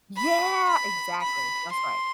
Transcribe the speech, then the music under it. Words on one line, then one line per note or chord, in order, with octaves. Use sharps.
Yeah, exactly that's right.
B5
B5
B5
C6